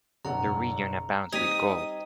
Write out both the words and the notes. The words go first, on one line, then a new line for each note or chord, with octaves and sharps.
The region abounds with gold.
F#1 B1 F#5 A#5
G3 C4 D#4 D#6 G#6 B6